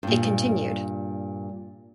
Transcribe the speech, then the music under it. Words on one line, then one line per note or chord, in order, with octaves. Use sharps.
It continued.
G2 A#2